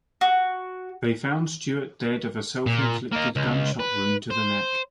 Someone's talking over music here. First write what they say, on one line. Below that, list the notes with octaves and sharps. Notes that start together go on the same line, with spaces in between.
They found Stewart dead of a self-inflicted gunshot wound to the neck.
F#4
A#2
A#3 D#4
C#2
B4
C5